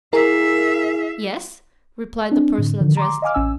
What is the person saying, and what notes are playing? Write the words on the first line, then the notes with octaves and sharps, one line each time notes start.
"Yes," replied the person addressed.
E4 G#4 A#4 E5 F5 G#5
C4 D4
A2 D3
D3 D#3 F3
A#5 C6 D6
D#5 F5 G#5 D6 F6
A1 C#4 G#5 E6